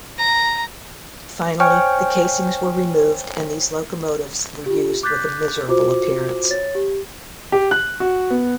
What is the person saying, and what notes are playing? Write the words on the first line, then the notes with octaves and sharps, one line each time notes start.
Finally, the casings were removed and these locomotives were used with a miserable appearance.
A#5
C5 C#5 G5 G#5 C#6 F6
F4 G4
D6 F#6 G6 A6 B6
F4 F#4 C5 D6
C#5 A6
G4
G4
F#6
F#4
B3